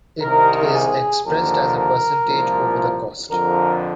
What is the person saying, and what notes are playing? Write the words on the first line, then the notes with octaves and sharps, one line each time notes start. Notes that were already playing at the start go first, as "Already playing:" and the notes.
It is expressed as a percentage over the cost.
C2 C3 D#3 A#4
G#4
D#2 D3 F3 A#4
A#4
C2 A#2 F3
F2 D3 F3 A#4